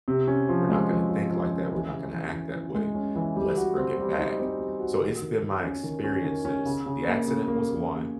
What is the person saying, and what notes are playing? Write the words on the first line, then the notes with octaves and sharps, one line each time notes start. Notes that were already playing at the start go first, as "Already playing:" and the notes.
we're not gonna think like that, we're not gonna act that way, let's bring it back," so it's been my experiences. The accident was one,
C3
C#4
F3
G#3
F3
F3
F3
C#4
E3
C#3
E3
E3
E3
G#3
C#4
E3
G3
F#4
C4
G3
D#4
C4
G3
F#4
D#3
D#3
D#3
C#4
D#3
C#4
D#3
C#4
C#3
C#3
A#3
C#3
A#3
A#3
A#3